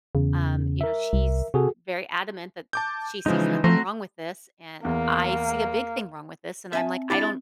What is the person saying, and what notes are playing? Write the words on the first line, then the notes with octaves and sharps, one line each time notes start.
um, you know, she's very adamant that she sees nothing wrong with this, and I see a big thing wrong with this, and I'm like, I don't
E2 C#3
A#4 E5
C2
C3 F#4 G#4 A4
A5 D6 G6
C#3 E3 F3 G#3 D#4
F3 A3 C4 F#4 A#5 C6
E2 A#3
C4 E5 G#5 A5
D4 E4 G4 A6